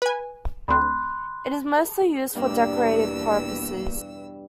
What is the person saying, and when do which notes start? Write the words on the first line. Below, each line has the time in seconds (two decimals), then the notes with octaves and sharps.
It is mostly used for decorative purposes.
0.02 B4 G#5
0.68 D2 C4 B5 C6 F#6
2.35 E2 G2 B2 A#3 D4 D5 G5 E6